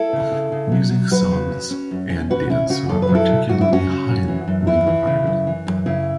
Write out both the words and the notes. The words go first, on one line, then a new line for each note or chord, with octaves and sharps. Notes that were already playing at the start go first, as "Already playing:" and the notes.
Music, songs and dance are particularly highly regarded.
Already playing: E4 A4
C#3
C#3
C#3
F#3
F#3
F#3 F#4 B4
C#3
C#4
C#4
F#2
C#4
C#4 F#4 B4
C#4 E4
C#3 C#4 F#4
F#2 A4
B4
F#3
E4 A4
C#3
F#2 F#4
E4
F#3 C#4 F#4
C#3
F#2
E3
F#2
E3 E4
E3
C#3
F#2
E3
F#2
C#3 E4